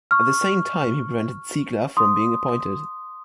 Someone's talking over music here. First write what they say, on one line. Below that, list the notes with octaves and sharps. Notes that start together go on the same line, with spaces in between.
At the same time, he prevented Ziegler from being appointed.
C#6 F6
C6 D#6